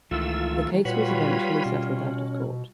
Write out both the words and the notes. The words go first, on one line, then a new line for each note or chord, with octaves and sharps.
The case was eventually settled out of court.
C#2 D#3 E3 A3 F4 E6
A#2 G3 F4 F#4 B4 C#5 B5
B2 C#4